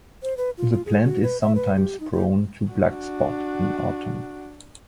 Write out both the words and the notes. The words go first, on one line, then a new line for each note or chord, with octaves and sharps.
The plant is sometimes prone to blackspot in autumn.
C5
B4
F4
F4
G#4
F#4
B4
E5
B4
G4
D#4
G4
D4 F#4